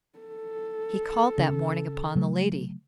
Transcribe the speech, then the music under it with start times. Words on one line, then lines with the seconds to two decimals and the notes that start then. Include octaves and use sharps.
He called that morning upon the lady.
0.19 A4
1.38 C#3
2.15 C#3 F#3 A3